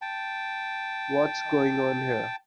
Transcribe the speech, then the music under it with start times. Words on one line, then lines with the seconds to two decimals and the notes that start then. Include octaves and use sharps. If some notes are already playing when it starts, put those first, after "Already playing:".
What's going on here?.
0.02 G5 A5